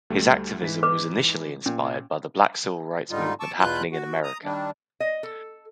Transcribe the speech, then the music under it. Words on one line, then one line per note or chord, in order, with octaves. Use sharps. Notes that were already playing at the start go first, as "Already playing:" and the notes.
His activism was initially inspired by the Black civil rights movement happening in America.
D2 G3 A3
G#2 E3 B6
B4 D6
A#2 C#4
G#2 D3 G3 D#4 F4
A5 C#6 D6 E6
E2 B2 F4 B4 F#6 G6
F#4
A#5 D#6
D#3 G3 D4
D#5
A4